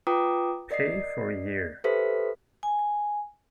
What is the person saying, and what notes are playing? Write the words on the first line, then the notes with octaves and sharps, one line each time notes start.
Pei for a year.
F4 B4 G5 A#5 D6 D#6
A#4 D5 D#5 C7
G4 A4 B4 C5 E5 B6
G#5